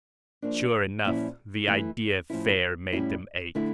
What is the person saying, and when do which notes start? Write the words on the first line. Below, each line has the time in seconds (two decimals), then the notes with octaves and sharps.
Sure enough; the idea fair made them ache.
0.42 F3 A#3 D4
1.05 A#2 F3 C#4 E4
1.68 E3 A3 E4
2.30 A2 F3 C#4 E4
2.93 A2 G3 C#4 E4
3.55 D3 A3 E4